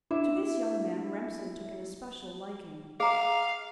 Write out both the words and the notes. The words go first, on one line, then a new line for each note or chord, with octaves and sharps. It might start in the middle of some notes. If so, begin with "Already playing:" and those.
To this young man Remsen took an especial liking.
D4 E4 E5
G#4 F5 A#5